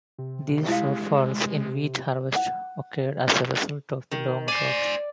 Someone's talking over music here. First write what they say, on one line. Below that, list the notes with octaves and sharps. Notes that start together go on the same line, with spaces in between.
These shortfalls in wheat harvest occurred as a result of the long drought.
C3
G#3 E4 F5
F#5
D#3
C5 D5 G#5